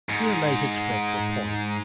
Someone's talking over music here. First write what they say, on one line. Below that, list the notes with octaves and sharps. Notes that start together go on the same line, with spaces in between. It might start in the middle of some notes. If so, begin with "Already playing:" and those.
Here lay his fretful point.
G#2